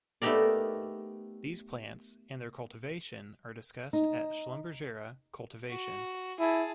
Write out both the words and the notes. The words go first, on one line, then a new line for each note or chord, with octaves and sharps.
These plants and their cultivation are discussed at "Schlumbergera:" Cultivation.
A3 B3 D#4 G4 A#4 D5
D#4
F#4
E4 G#4 A5